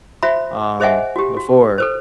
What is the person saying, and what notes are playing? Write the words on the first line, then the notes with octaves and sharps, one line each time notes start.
um, before,
F#4 C5 E5 B5
G#4 C5 D#5 E5 F#5 G#5
F#4 G4
F#4
A4 B4 C5